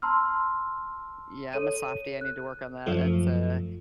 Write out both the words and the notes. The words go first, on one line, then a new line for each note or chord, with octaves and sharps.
Yeah, I'm a softy, I need to work on that, it's, uh,
A5 A#5 C6 E6 F6
A4 C#5 D#7
F#6
F#2 F3 A3